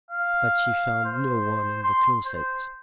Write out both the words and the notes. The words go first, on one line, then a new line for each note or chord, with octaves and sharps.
But she found no one in the closet.
F5
C5
C6
C5